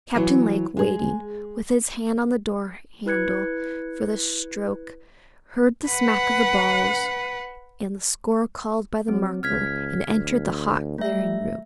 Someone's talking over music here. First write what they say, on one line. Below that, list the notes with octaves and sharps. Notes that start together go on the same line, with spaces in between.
Captain Lake, waiting, with his hand on the door-handle, for the stroke, heard the smack of the balls, and the score called by the marker, and entered the hot, glaring room.
E3 F#3 C#5
G#3 G#4
E4 B4 F#6 G#6 C#7
B4 F#5
F#3 C4
C#2 F6 G#6 B6
D2
G3 A3 E5